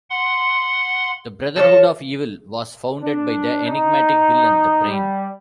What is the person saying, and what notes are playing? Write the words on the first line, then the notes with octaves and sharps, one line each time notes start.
The Brotherhood of Evil was founded by the enigmatic villain the Brain.
F#5 C6
F3 A4 C#5 A5 A#6
D4
D#4
G3